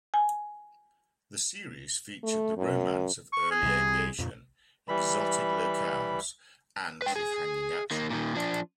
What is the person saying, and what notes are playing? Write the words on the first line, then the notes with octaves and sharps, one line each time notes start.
The series featured the romance of early aviation, exotic locales, and cliff-hanging action.
G#5
A3
F#2
C#6
G#4
C2 C3 G3
F2 A#2
E3 G3 B5
B4 G5
G#4
D#3 A#3
A#2 D#3
F3 D4